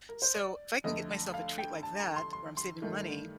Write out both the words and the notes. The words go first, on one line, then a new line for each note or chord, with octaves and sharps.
So, if I can get myself a treat like that, where I'm saving money,
A#4
C5
D5
F2 D3 A3 D#5
F5
G5
A5
A#5
C6
C6
C6
G2 D#3 A3